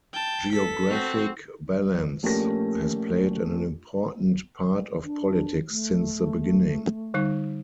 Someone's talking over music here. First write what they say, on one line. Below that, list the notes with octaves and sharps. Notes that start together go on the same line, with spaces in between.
Geographic balance has played an important part of politics since the beginning.
G5 A5
A4 B6
C4 F#4
A#1 A3 C#4 G4 A#4 A#6
D4
A3
D3 G3 D#4